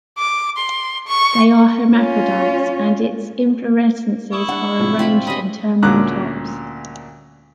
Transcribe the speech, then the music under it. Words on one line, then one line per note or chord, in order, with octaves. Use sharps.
They are hermaphrodites and its inflorescences are arranged in terminal tops.
D6
C6
C#6
C#4 F4
E4 C#6 D#6
D4 F#5
A2 C3 F3
C4 F4 B5
G3 C#4 D#5 B5
D2 A#2 C#4 A#5 D6 F#6